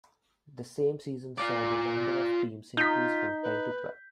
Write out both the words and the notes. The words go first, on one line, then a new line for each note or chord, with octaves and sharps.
The same season saw the number of teams increase from ten to twelve.
F4 D5
D#4 F4 G6 B6
B4